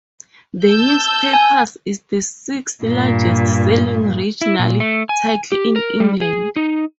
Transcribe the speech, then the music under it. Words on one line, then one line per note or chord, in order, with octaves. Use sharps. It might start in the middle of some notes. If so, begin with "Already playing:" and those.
The newspaper is the sixth largest-selling regional title in England.
A5 E6 G6
G#5
G2 A#2
E4
A#2
A3
G#5
G4
A#4
G3
G#4
D#4